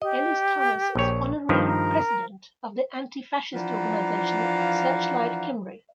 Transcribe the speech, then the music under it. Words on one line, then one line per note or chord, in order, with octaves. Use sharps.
Elis-Thomas is Honorary President of the anti-fascist organisation Searchlight Cymru.
G4 D#5
A#1 C#5
G2 D#3 F3 B4
A#4
E3 F3 D4 F5 F#5 A#5